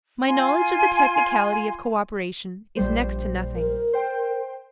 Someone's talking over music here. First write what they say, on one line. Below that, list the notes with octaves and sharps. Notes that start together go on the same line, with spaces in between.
My knowledge of the technicality of co-operation is next to nothing.
F4 F5 G#5 C6
A#1 G3 C5
A#4
C5 G5